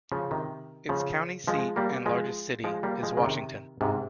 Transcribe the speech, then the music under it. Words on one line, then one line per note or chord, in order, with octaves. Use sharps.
Its county seat and largest city is Washington.
C#3 F3
C3 D#3
C#3 F3
F3 G#3
G3 A#3
F3 G#3
F3 G#3
G3 A#3
F3 G#3
C#3
C3 D#3
G#2 C3